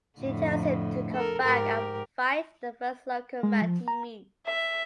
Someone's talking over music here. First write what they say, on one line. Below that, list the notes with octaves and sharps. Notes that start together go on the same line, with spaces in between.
She tells him to come back and fight the first local man he meets.
F2 A2 D3
A4 A#4
G#2 G4 A#4
G#3
F3
A#5
E5